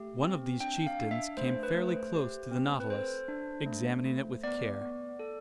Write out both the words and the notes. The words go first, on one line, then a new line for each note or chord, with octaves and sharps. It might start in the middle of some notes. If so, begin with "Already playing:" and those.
One of these chieftains came fairly close to the Nautilus, examining it with care.
Already playing: A3 G4
C4
D4 G5
F5
D4
E5
A3 C5
B4
A3
C5
G4
C4
B4
A4 C5
D4
A3
A3
B3 D5
B3
A4